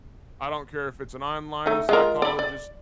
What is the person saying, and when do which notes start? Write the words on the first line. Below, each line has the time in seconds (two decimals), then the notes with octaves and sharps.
I don't care if it's an online psychologist,
1.66 A3 D#4
1.89 G#3 F4 A#4
2.22 D5 B5
2.39 D5